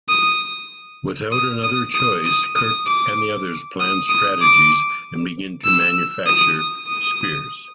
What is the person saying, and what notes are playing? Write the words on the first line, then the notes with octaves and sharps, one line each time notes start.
Without another choice, Kirk and the others plan strategies and begin to manufacture spears.
D#6
D#6
D#6
D#6
D#6
D#6
D6
D#6
D#6
D6
E6
D#6
D#6